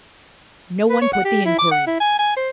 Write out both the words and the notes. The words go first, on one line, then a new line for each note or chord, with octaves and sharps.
No one put the inquiry.
B4
C#5
F#5
G4
E4
D6
F#5
E4
G#5
G#5
C5